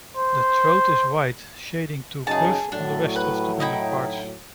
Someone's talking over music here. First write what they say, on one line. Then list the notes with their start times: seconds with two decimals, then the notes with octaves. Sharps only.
The throat is white, shading to buff on the rest of the underparts.
0.17 C5
2.27 F#2 C#3 D#4 G#4 A5
2.72 A2 F#3 D4
3.16 B4
3.60 D#4 E4 G5